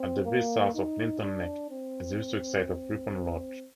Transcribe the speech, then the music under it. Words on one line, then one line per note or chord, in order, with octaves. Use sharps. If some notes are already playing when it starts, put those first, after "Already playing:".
At the very south of Linton Neck is the historic site of Rippon Lodge.
Already playing: C4
A#3
D#4
D4
C4
C4